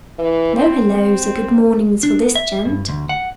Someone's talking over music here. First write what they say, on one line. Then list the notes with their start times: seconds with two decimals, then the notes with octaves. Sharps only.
No hellos or good mornings for this gent!
0.18 E3
0.55 C4
2.03 D4
2.22 B3
2.36 E5
2.65 G2
2.88 D2
3.09 F#5